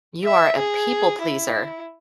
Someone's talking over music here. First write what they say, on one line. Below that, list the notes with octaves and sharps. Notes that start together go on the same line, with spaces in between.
You are a people pleaser.
E5
G#4
E4